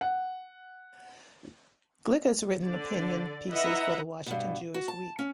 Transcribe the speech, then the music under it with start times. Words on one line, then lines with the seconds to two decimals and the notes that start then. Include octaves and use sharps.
Glick has written opinion pieces for the "Washington Jewish Week".
0.01 F#5
2.64 D3 D5
3.50 E4 B4 D#5 E5 F#5 A#5
4.26 G2 B2
4.74 F#4
4.88 A5
5.19 C#4